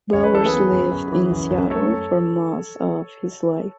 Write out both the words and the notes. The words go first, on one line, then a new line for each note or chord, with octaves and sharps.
Bowers lived in Seattle for most of his life.
F#2 C#5
B4
E3 A4
G#4 B4
B3
F#2
F#2
E3
F#2
F#2
A3 A4 C#5